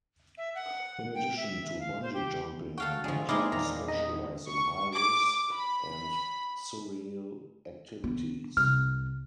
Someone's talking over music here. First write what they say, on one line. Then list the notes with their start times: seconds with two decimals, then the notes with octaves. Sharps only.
In addition to bungee jumping, the club specialised in high risk and surreal activities.
0.38 E5
0.55 F#5
1.14 G5
1.37 E5
1.80 F5
2.02 C5
2.14 G4
2.78 F#4 A4 F5 G5
3.04 G#2 D3 F3 G#3
3.29 B2 G#3 A3 C4 D#4 E4 D5 F5
3.52 E2 A#2 D#3 E3 A#5
3.88 D#4 D#5
4.48 C#6
4.94 D6
5.53 B5
8.04 D#3 B3
8.57 C2 F6